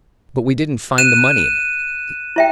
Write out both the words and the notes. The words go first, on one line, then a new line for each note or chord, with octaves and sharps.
But we didn't find the money in it.
F#6 D#7 E7
E4 E5 G5